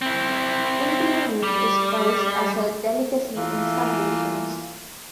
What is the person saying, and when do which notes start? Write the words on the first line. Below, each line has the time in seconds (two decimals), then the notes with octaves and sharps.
Indri meat is prized as a delicacy in some regions.
0.02 C4 E4
1.43 G3
3.36 E3 A3 A#3 F4